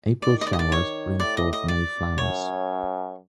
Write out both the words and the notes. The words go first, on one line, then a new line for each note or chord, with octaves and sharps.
April showers bring forth May flowers.
D#3 D5
D#5
D5
D#5
D5
C#5
A2 D5
D#5
D#5
D5
F#2 C#5